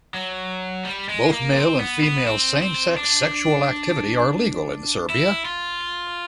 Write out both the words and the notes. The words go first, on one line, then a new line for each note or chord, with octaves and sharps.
Both male and female same-sex sexual activity are legal in Serbia.
F#3
G3
G#3
A#3
C4
B3
B3
C4
C4
D4
E4
F4